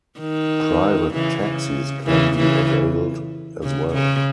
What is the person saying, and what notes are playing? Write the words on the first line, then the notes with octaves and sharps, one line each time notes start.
Private taxis can be availed as well.
D#3
C#3 E3
C#3
C#3 E3
C#3 E3
C#3
C#3